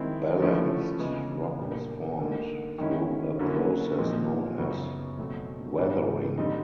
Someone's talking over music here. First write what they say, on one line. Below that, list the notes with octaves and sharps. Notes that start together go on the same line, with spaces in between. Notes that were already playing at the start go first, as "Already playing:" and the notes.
Balanced rock was formed through a process known as weathering.
Already playing: D#3 G#3 C4 E4
D3 F3 A3 C#4 E4
C#3 E3 G#3 B3
A#2 G3 A#3 D4
D3 G3 A#3 D#4
D#3 G#3 C#4 E4
D3 F#3 A#3 C#4 E4
A#2 F3 G#3 C4 D#4
F#2 C#3 F#3 B3
B2 F#3 A3 C4
G#2 E3 G3 B3 D4
D3 G3 C4 D#4